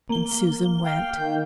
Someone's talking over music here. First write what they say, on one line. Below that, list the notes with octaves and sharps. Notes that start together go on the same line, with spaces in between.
And Susan went.
A#3 G7
F5 G5
D#3 G6